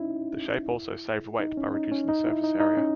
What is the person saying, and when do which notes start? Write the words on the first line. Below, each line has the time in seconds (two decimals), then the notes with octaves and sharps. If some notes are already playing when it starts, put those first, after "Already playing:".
The shape also saved weight by reducing the surface area.
Already playing: C#4 D#4 E4
1.40 D#4
1.57 C#4
1.74 D#4
1.92 C#4
2.09 D#4
2.26 E4
2.44 D#4
2.60 D#4
2.77 C#4